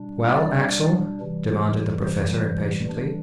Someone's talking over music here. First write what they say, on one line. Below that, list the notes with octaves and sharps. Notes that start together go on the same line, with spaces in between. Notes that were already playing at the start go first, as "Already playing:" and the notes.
"Well, Axel?" demanded the Professor impatiently.
Already playing: B2 G3 D4
D5
C3 E3 G3
C5
E3 G3 D4